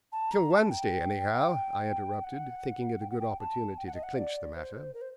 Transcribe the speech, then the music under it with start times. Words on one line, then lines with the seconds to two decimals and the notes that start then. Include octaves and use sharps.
"Till Wednesday, anyhow," I interrupted, thinking it a good opportunity to clinch the matter.
0.12 A5
0.31 A#5
0.51 A5
0.70 G5
2.24 F#5
3.01 G5
3.10 F#5
3.20 G5
3.39 A5
3.78 G5
3.87 F#5
3.95 D#5
4.03 F#5
4.17 D5
4.55 C5
4.94 A#4
5.01 C5